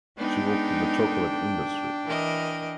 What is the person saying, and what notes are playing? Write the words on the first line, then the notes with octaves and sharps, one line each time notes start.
She worked in the chocolate industry.
G#3 B3 D4 D#4 G5
E3 A#4 D#5